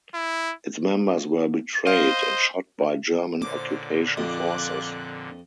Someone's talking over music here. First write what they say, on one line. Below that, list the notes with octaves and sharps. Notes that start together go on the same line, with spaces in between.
Its members were betrayed, and shot by German occupation forces.
E4
C5 D#5 F5
A#2 D3 C5 C#5 D6
F2 F4 D6 F#6